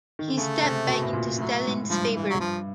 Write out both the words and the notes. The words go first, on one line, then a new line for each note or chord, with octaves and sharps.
He stepped back into Stalin's favor.
D#3
D3
C#3 A3
C3
B2
A2
A#2
A2 F#3
G#2
G2 F3
E3
F#3
G2 F3